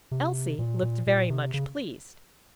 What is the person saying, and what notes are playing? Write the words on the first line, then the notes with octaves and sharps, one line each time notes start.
Elsie looked very much pleased.
C3
A#2
A#2
A#2
C3
C#3